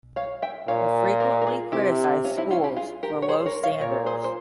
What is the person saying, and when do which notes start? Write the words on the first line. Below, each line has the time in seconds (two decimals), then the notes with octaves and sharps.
He frequently criticized schools for low standards.
0.16 C#5 F5
0.42 E5 G5
0.68 A#2 C#5 F5
1.20 G4 A#4
1.42 A#4
1.47 F4 G#4
1.72 C3 E4 G4
2.24 C#4 F4
2.37 C4 E4
2.51 C#4 F4
2.64 E4 G4
2.77 F4 G#4
3.03 G4 A#4
3.22 C#5
3.29 G#4 C5
3.40 C5
3.46 A#4 C#5
3.63 C#5 F5
3.80 A#2 A#4 C#5
4.06 G#4 C5
4.24 C5